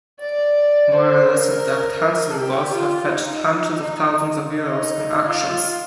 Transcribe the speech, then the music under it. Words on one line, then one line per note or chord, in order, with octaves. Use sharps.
More-or-less intact Hansen balls have fetched hundreds of thousands of Euros in auctions.
D5
C5
A#4
G4
F4
D#4
D#4
D#4
F4